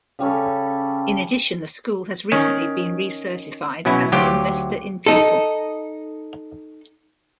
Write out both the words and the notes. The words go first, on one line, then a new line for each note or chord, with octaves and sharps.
In addition the school has recently been re-certified as an investor in people.
C#3 G3 C#4 A4
D#3 C#4
B2 F#3 C#4 E4
D2 F#3 F4 G4 G5
D#4 A4